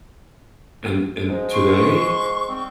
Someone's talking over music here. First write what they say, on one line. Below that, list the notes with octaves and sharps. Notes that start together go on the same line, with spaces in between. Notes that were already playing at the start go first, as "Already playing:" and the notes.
and and today,
G#2 F3 D#4
C6 C#6
G3 B3 C4